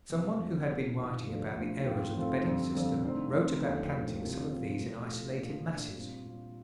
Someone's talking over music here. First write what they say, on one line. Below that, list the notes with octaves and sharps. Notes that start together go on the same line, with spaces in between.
Some one who had been writing about the errors of the bedding system wrote about planting some of these in isolated masses.
F2 C3 F3
F2 C3 F3
C2 C3 D#3 A#3 F4
C2 C3 D#3 A#3 F4
D2 D3 F3
D2 D3 F3
F2 D#3 A3 C4 F4
F2 D#3 A3 C4 F4
F2 D3 G3 C4
F2 D3 G3 C4
D3 A3 C4 D#4
D3 A3 C4 D#4
D#2 D3 F3 A3
D#2 D3 F3 A3
C2 C3 F3 C4
C2 C3 F3 C4
A2 A3 C4 F4
A2 A3 C4 F4
A#2 A3 D4 F4
A#2 A3 D4 F4
A#2 G3 C4 F4
A#2 G3 C4 F4